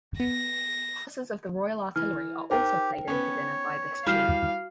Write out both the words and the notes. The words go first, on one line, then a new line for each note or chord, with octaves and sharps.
Officers of the Royal Artillery are also played in to dinner by this tune.
B3 A#6
E3 F6
D#4 G4 A#4 C5 G5
B3 C#4 C#5
E3 G3 F#4 G4 F5 F6 C7